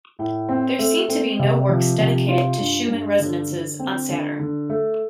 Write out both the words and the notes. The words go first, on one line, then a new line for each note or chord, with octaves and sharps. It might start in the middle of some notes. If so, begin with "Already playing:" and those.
There seem to be no works dedicated to Schumann resonances on Saturn.
A2
C4
A3
C4
C3
F3
C3
F4
G2
G2
D3
D3
C4
D3
D3
A3